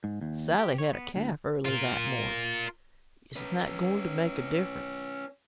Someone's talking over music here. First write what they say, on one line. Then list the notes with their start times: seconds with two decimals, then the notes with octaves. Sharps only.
"Sally had a calf early that morning. Isn't that going to make a difference?"
0.04 G#2
0.21 D#2
0.58 G4
0.78 C#5
0.93 B3
1.16 D2
1.65 F4 A#4
3.36 C#4 B4